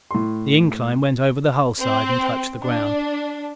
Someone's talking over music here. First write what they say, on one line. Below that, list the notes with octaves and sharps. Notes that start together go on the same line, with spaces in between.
The incline went over the hull side and touched the ground.
A2 C6
C4
D4